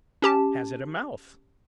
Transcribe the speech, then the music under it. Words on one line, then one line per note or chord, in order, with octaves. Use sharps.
Has it a mouth?
C#4 G4 A5